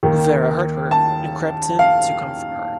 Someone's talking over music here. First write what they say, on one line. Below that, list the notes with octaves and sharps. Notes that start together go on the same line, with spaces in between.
Vera heard her and crept in to comfort her.
D#2 D#3
A5
F5